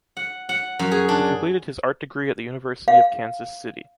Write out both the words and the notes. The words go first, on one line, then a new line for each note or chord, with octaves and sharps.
He completed his art degree at the university of Kansas City.
F#5
F#5
F#2
G#4
D4
F5